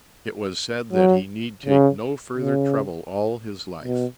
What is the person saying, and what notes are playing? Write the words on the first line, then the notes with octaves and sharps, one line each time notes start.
It was said that he need take no further trouble all his life.
F#3
C#3
C#3
B2